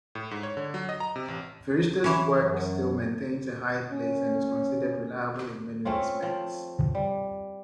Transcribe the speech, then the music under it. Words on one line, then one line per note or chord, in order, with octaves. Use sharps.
Firishta's work still maintains a high place and is considered reliable in many respects.
A2
G#2
C#5
D3
F#3
D#5
A#5
C3
A1
E3 C#4
F#2
C#4
A3 C4 C#4 F4
F3 C4
G3